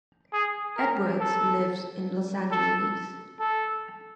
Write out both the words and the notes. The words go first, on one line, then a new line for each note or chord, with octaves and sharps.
Edwards lives in Los Angeles.
G#4
A#4
A4
A4
A4